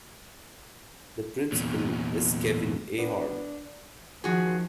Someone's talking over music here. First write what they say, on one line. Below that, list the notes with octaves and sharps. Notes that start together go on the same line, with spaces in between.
The principal is Kevin Ahern.
E2 A#2
B3 D4
D#3 F3 F#4 G#4